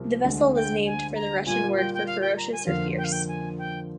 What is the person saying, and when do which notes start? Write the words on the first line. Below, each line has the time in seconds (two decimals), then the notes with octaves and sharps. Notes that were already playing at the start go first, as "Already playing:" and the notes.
The vessel was named for the Russian word for Ferocious or Fierce.
Already playing: C2 C3 F3 A#3
0.25 D2 D3 G#3
0.55 G5
0.86 G#5
1.15 A#5
1.46 A#2 G3 A#3 F4 G#5
1.76 G5
1.94 G5
2.07 F5
2.21 G5
2.37 A#5
2.52 G#5
2.67 F2 D3 F3 A#3 F4 F5
2.97 G5
3.04 F5
3.12 G5
3.28 G#5
3.58 G5